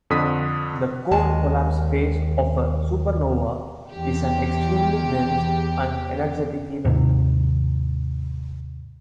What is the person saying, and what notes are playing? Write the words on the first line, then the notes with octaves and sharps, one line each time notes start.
The core collapse phase of a supernova is an extremely dense and energetic event.
F2 D3 D#6 B6
D#2 G#3 A5
E2 G4
D#2 G#2 C3